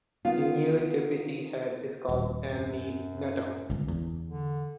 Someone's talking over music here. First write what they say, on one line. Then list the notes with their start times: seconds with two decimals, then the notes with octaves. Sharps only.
The new Deputy Head is called Andy Nuttal.
0.25 D#3 B3 F4
2.09 D#1
2.45 F#2
3.70 G1 C#2
3.88 E2
4.27 D3